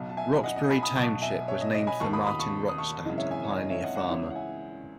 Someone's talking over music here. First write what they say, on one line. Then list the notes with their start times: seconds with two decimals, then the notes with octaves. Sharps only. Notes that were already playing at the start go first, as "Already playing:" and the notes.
Rocksbury Township was named for Martin Rockstad, a pioneer farmer.
Already playing: B1 B2
0.09 A5
0.17 E5 G#5
0.44 D#5 F#5
0.56 D#5
0.70 G#5 B5
0.83 B5 D#6
0.95 B1 A5 C#6
0.99 B2
1.22 E5 G#5
1.48 C#5 E5
1.61 D#5
1.74 D#5
1.87 G#5 B5
2.00 D#2 D#3 A5 C#6
2.13 B5 D#6
2.26 B5 D#6
2.39 A5 C#6
2.69 D#6
2.78 A5 C#6
3.05 G#1 F#2 C#3 E3 D#5
3.18 C#5 E5
3.31 E5 G#5
3.44 C#5
3.57 D#5
3.70 C#5 E5
3.83 D#5 F#5
3.96 D#5 F#5
4.09 C#2 C#3 E3 C#5 E5
4.31 F#5
4.35 E5 G#5